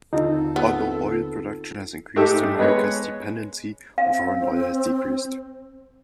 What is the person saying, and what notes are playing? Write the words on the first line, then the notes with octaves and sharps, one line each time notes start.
Although oil production has increased, America's dependency on foreign oil has decreased.
D#2 D3 C4 D#4 F4 A4
B3
G#2 A3 G4 A4 E5
G#3 B3 B4 C#5
C4 F5